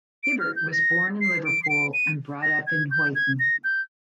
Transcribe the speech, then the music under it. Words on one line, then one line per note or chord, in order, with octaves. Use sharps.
Hibbert was born in Liverpool and brought up in Huyton.
D7
F6
G6
A#6
C7
D7
C7
D7
D#7
A#6
G#6
G6
G#6
A#6
G6